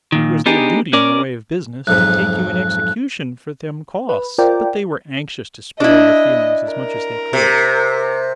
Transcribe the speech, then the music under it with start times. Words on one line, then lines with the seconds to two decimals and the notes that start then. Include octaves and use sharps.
It was their duty in the way of business, to take you in execution for them costs; but they were anxious to spare your feelings as much as they could.
0.12 A#2 D#3
0.46 B3 D4 D#4 G4 G#4
0.93 C#4 A#4 D5
1.87 B1 F2 G#2 F#6
4.09 B4
4.38 F4 A#4 C5 D5 G5
5.80 D4 E4 D#5
6.71 A#4
7.33 C3